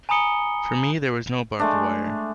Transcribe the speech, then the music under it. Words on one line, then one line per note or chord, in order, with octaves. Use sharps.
For me there was no barbed wire.
G#5 A#5 B5 D#6 C#7 G7
G#3 A3 D4